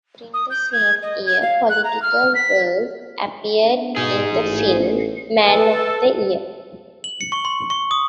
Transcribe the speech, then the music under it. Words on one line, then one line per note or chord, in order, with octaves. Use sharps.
During that same year, "Political World" appeared in the film "Man of the Year".
D#6
G6
G#6
D#5
G#6
F5
F#6
A#5
F6
B6
B3 D4
B2 D#4 G#4
A1
A4 B4 A5
F#7
C#7
C#6
C6
C#6
D#6